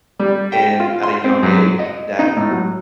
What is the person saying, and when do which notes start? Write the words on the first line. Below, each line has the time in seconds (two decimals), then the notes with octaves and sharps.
And at a young age, that
0.19 G3
0.52 G5
0.80 F4
1.03 C6
1.24 C4
1.43 F#2
1.79 D#5
2.19 D#4
2.37 A2
2.51 F#3